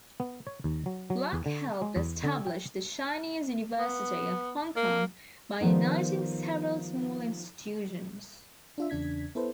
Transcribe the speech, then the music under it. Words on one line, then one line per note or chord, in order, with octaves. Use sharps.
Black helped establish the Chinese University of Hong Kong by uniting several smaller institutions.
B3
C#5
D#2
F#3
F#3
E2
D3
G#3
E2
D3
G5
B3
A#3
D#3 F3 G3 B3 D#4
D4 F4 E5
E2 C#3 D4 G#6 B6
B3 E4 A4 B4 C5